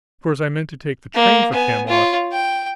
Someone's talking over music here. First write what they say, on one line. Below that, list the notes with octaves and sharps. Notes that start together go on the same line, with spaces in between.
Of course, I meant to take the train for Camelot.
A#3
B3 G#5
F4 C#5
G5